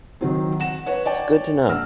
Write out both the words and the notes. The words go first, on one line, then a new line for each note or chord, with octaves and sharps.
It's good to know.
D#3 F#3 C4
F#5 E7
B4 C#5 F#5
C#5 D5 G5
A#1 F#5 E6 F6